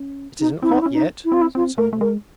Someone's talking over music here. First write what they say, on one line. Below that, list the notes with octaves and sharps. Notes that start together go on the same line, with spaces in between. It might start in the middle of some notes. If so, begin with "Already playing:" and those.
'It isn't hot yet,' said someone.
Already playing: C#4
D#4
C4 E4
D#4
E4
C#4
D#4
E4
C4 F4
E4
C4 F4
A3 A#4
A3
G#3 A#4